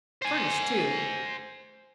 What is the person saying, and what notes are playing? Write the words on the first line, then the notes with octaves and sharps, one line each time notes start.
Furnished, too.
C5 G#5